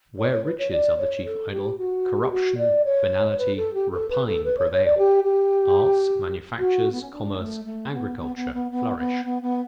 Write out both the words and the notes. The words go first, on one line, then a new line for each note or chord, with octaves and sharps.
Where riches are the chief idol, corruption, venality, rapine prevail: arts, manufactures, commerce, agriculture flourish.
C#5
C#5
B4
C#5
D5
C#5
A4
G4
F#4
G4
F#4
D5
C#5
B4
A4
G4
A4
B4
A4
B4
C#5
C#5
D5
G4
G4
F#4
B3
C#4
D4
A3
A3
B3
B3
B3
B3
B3
B3
B3
B3